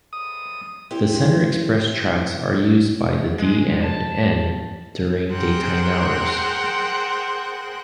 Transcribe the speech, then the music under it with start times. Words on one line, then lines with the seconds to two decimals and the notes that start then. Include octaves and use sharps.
The center express tracks are used by the D and N during daytime hours.
0.13 D#6
0.91 C3 E4 G4 C5
3.39 G#3
3.84 A5
5.30 G#4 A#4 C5 F#5 G5